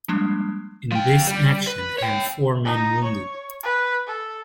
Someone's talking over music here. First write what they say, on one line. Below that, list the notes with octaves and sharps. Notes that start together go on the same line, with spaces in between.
In this action, had four men wounded.
F3 G3 G#3 A#3 D4
F3 G5
G3
B4
C#5 G5
D#4
C#5
B4
A4